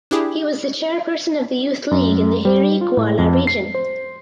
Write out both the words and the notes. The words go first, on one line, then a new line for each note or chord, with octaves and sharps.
He was chairperson of the youth league in the Harry Gwala Region.
D4 E4 G4 G#4
F#2
G3
F4
A2
F2
C7
C5